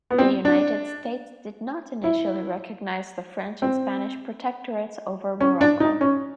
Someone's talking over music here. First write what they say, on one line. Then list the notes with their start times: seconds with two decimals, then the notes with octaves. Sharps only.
The United States did not initially recognize the French and Spanish protectorates over Morocco.
0.11 B3
0.18 C4
0.45 D4
2.04 E4
3.62 C4
5.40 C#4
5.61 D4
5.80 D#4
6.01 C#4